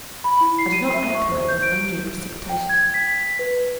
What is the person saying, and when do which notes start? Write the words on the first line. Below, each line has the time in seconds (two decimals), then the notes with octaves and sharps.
I did not act, however, with undue precipitation.
0.24 B5
0.41 E4
0.59 C7
0.72 D#7
0.94 E5
1.15 C#6
1.31 C5
1.49 G6
1.63 D7
2.49 G5
2.69 G#6
2.94 B6
3.39 B4